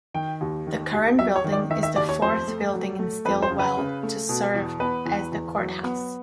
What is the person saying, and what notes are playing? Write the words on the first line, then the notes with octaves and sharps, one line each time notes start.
The current building is the fourth building in Stilwell to serve as the courthouse.
D#3 G5
D#2
D#3
D#2
F#3 E5
C#5
D#3
D5
D#3 E5
E5
D#2 D5
C#5
F2 C5
A3
F#3
A3
F2 B4
C5
C#3
B4
C#3
A3
B2
E2
B3 B4
E2
E2
F#3
B3